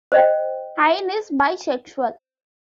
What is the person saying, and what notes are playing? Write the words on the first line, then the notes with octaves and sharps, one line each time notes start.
Hine is bisexual.
C5 D#5 G5